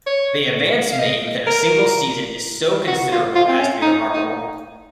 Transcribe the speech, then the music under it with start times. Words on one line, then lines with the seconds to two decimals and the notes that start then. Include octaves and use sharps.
The advance made within a single season is so considerable as to be remarkable.
0.07 C#5
0.92 F5
0.99 D#5
1.47 A#4
2.87 F#4
3.12 F4
3.35 F4
3.48 C4
3.59 C#4
3.82 D#4
4.13 D#4